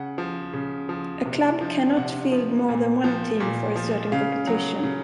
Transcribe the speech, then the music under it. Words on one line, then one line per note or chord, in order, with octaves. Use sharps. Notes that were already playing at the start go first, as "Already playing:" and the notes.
A club cannot field more than one team for a certain competition.
Already playing: C#3 F#5
F3
C#3
F3
C3
F3
C3 F#5
F3
A#2
F3
A#2
F3
C#3 F5
F#3
C#3